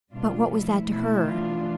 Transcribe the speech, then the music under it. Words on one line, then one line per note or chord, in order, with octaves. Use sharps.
But what was that to her?
B2 G3 D4 F4
F3 A3 E4
B2 A3 E4
E3 A3 D4 F4